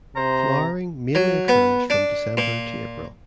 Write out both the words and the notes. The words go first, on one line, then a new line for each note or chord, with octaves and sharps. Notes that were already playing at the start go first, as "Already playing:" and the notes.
Flowering mainly occurs from December to April.
C3 C5 A#5
F#3
B3
D4
A#2